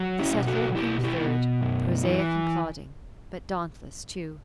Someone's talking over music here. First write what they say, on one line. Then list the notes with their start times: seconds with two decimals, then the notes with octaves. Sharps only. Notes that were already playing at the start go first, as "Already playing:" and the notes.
The settler came third, prosaic and plodding, but dauntless too.
Already playing: F#3
0.19 C#4 E4
0.33 B2
0.47 F#4 A4
0.75 B2 E4 G4
1.04 E4 G4
1.18 B2
1.61 F#2
2.03 E3